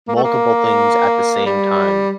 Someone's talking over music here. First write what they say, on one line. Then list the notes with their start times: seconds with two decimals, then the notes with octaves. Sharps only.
multiple things at the same time,
0.08 A#3
0.16 A3
0.24 A#3
1.46 G3